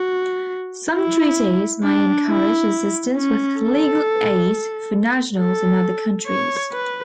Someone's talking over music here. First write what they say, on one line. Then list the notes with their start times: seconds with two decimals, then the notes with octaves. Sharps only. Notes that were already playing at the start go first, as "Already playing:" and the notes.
Some treaties may encourage assistance with legal aid for nationals in other countries.
Already playing: F#4
0.95 E4
1.83 D4
2.28 E4
3.16 C#4
3.61 A4
5.39 A4
6.27 C#5
6.72 B4